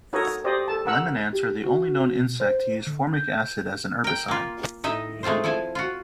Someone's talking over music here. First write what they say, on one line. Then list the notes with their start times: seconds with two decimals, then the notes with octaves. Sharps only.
Lemon ants are the only known insect to use formic acid as a herbicide.
0.13 D#4 F#4 A4 A#4 C#5 D#5
0.44 G4 C5 D5 D#5
0.68 A4 A5
0.86 A#4 F#5 E6
1.33 G4
1.64 F#4
2.18 B2
2.40 C5
2.87 D3
3.14 G6
4.04 A#4 G5
4.28 A#3 F4
4.84 A2 D#4 D#5 E5
5.23 G#3 A3 C4 F4 C5
5.44 F3 E4 A4 G#5
5.75 F4 F#4